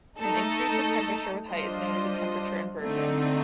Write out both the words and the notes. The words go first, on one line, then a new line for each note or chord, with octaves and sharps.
An increase of temperature with height is known as a temperature inversion.
A3 D#4 A4
G3 D4 F4 C5 D#5
D3 A3 C4 D#4